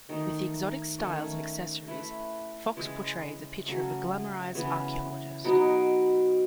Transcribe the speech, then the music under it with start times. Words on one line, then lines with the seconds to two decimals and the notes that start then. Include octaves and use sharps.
With the exotic styles and accessories, Fox portrays a picture of a glamorized archaeologist.
0.09 D#3 A3 D#4
0.98 D#3 A3 C#4
1.87 A3 E4 B4
2.76 C#3 E3 G#3
3.66 C#3 F#3 A3
4.55 C#3 E3 B3
5.44 B2 F#3 B3 D#4